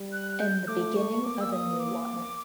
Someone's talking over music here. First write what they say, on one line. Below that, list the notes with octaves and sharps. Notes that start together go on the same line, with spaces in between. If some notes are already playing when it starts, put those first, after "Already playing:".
And the beginning of a new one.
Already playing: G3
F#6
F#6
G6
A3 D6
C#6
A#3 D6
E6
D#6
D6